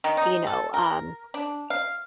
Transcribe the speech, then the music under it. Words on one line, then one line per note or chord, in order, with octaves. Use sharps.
you know, um,
D#3
D#4
A4
A#4
D4
F5